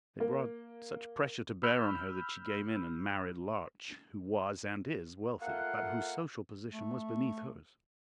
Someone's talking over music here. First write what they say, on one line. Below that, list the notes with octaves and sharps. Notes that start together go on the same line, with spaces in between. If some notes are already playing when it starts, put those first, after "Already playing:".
They brought such pressure to bear on her that she gave in and married Larch, who was and is wealthy, but whose social position was beneath hers.
A#3
B5 E6 F6 G6
A3 A#3 F4 F5 F#5
A3